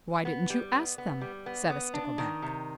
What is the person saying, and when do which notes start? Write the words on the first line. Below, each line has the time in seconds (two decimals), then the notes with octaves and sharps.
"Why didn't you ask them?" said a Stickleback.
0.25 B3
0.50 G3
0.73 B3
0.98 B3
1.21 G3
1.46 B3
1.70 B3
1.94 D4
2.18 D#3
2.42 C3